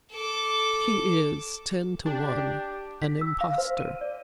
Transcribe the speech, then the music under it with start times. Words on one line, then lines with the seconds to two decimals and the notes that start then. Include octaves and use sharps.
He is, ten to one, an impostor.
0.12 A4 D6
2.06 D4 G4
3.02 B6
3.21 E6
3.41 F5
3.58 C5
3.78 D#7
4.01 D5